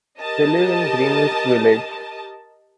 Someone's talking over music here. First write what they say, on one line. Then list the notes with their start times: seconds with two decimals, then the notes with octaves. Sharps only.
They live in Greenwich Village.
0.20 G4 A#4 D#5 A5